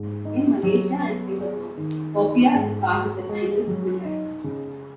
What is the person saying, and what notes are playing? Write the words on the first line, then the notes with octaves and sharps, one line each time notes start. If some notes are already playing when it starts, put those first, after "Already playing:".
In Malaysia and Singapore, "popiah" is part of the Chinese cuisine.
Already playing: G#2
D#4
F#3
B3
G#4
D#3
D#4
G#2
F#4
G#3
F#3
D#4
C#3